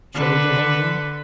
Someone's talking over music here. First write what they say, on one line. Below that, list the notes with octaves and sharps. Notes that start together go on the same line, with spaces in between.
'Shall we go home, then?'
D3 B4